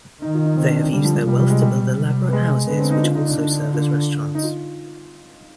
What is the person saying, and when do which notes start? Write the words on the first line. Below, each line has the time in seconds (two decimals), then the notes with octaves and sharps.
They have used their wealth to build elaborate houses which also serve as restaurants.
0.22 D#3 D#4
0.34 F4
0.45 D#4
0.57 C4
0.69 D4
0.80 C4
0.92 D3 G3
1.04 F3
1.15 F3
1.27 C3 G3
1.39 G3
1.50 G#3
1.62 B2 G3
1.97 C3
2.29 B3
2.33 G#3
2.67 D3 B3
2.79 C4
2.91 D#4
3.03 F4
3.15 D#4
3.26 D4
3.37 D3 D4
3.73 F4
4.35 D#4
4.43 F4